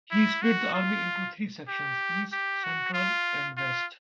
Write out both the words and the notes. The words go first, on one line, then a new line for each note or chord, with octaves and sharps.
He split the army into three sections - East, Central and West.
E4
F#4
F4
G4
G4
F#4
F4
F4